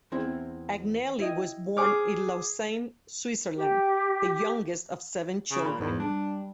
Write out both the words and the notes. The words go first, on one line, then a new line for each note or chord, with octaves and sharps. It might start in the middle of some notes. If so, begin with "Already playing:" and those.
Agnelli was born in Lausanne, Switzerland, the youngest of seven children.
E2 C4 E4
E4 D#5 G5
G#4 C#5 D6 F6
G4
C#3
A#2 B5
E2 G#2
G3 D4